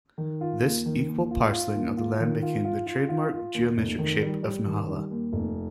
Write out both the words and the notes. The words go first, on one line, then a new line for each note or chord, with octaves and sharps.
This equal parceling of the land became the trademark geometric shape of Nahalal.
D#3
F4
D#2
D#3
D#2
F4
F4
D#2
F4
D#3
F4
F4
F4
F4
F4
D#2
F1
D#3
G3
G3
D#3
G3
D#2
F1